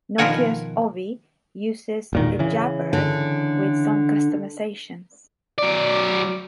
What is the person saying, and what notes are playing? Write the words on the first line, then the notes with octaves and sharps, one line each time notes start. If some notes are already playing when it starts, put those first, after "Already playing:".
Nokia's Ovi uses ejabberd with some customizations.
B2 D#3 F3 A#4 F#5 G#5
E1 A#2 D#3
C#3 E3
D3
F#3 D5